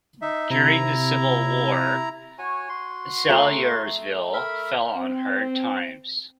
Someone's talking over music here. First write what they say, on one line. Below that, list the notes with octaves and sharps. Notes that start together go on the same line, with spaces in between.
During the Civil War, Salyersville fell on hard times.
D#4 E5
C3 E4 A#5
F#4 C#5 G#5
F#4 C6
A3 A#5 D#6
A#4 E5 B5
C4